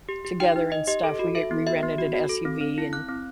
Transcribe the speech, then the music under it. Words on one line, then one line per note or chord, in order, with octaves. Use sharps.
together and stuff. We we rented an SUV and
G4
G4
D#4 G5
D#4
D#4 D#5
G4 D#5
A4
F#4
A4 E5
B3
F#4 E5
B3
F#4
F#4
A4
C4
C4
E4
C4 F#6
C4